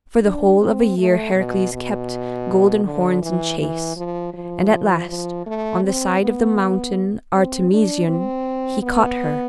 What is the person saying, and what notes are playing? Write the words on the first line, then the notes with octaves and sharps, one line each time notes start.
For the whole of a year Heracles kept Golden Horns in chase, and at last, on the side of the Mountain Artemision, he caught her.
D4
C4
A3
B2
B2
D3
E3
E3
F3
F3
F3
A3
C4
B3
C4
D4
C4
B3